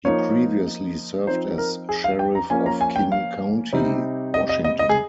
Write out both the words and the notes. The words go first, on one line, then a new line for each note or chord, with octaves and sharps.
He previously served as sheriff of King County, Washington.
F3 A#3 D#4 C#5
F3 C4 D#4 C5
A#4
G#4
F5
G5
A#5
F3 A#3 C#4 G#5
A#5
G#5
G5
F5
C3 G3 C4 D#4
D#5
D#5
D#5
D#5
G#4